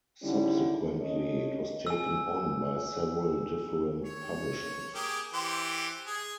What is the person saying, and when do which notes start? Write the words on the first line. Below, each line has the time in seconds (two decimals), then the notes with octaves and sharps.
Subsequently, it was taken on by several different Publishers.
0.22 D3 G3 C#4 D#4 E4
0.99 C#4 A4 C#5 D#5
1.87 G#5 E6
4.05 C#5
4.95 A#3 G4 G#4
5.33 E3 G4 C5
6.07 G#4